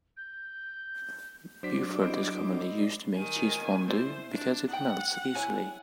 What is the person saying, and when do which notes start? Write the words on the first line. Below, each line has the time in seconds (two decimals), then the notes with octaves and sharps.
Beaufort is commonly used to make cheese fondue because it melts easily.
0.17 G6
1.63 F#3 D4 C5 D6 B6
2.02 E4 C5 D#5
2.77 D5 C6
3.14 D#3 G#5
3.88 E4 C5 D5
4.34 D4
4.70 D#4 F#5 G5
5.35 E4 C#5 G#5